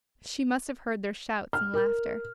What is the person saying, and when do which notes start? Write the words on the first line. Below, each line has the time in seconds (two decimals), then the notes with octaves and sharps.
She must have heard their shouts and laughter.
1.53 F6
1.74 A#4